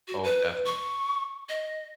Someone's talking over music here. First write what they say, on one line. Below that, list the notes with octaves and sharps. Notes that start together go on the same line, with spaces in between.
Oh, definitely.
F#4
B4
C#6
D#5